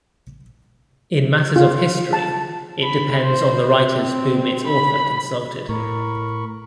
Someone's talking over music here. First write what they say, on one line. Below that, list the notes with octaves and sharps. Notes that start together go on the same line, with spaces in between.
In matters of history, it depends on the writers whom its author consulted.
F4
A5
B5
C5
C4
B5
A2 A#4 B5 C#6